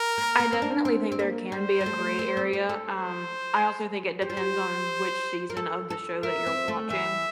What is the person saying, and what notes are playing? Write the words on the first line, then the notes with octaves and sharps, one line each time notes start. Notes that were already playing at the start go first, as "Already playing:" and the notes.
I definitely think there can be a gray area. Um, I also think it depends on which season of the show that you're watching.
Already playing: A#4
A#3
A#3
C4
D4
C4
C4
A#3
G3 C5
G3
A3
C4
C4
G4
A4
C5
G4 C5
F4
G4
A#4
A4
A4
A#4 E5
C4
A3
E3 E5